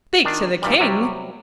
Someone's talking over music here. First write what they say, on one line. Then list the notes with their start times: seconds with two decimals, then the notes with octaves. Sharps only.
'Speak to the King!...
0.25 D#3 D4
0.62 G2 A#2 D#3 G3
0.80 C3 F#3 G3